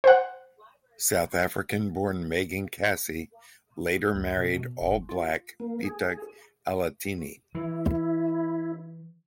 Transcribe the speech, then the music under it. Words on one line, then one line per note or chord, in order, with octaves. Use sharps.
South African-born Megan Cassie later married All Black Pita Alatini.
C5 F#5
D2
B2
B2
G1
F4
A#3
G#4
E3 E4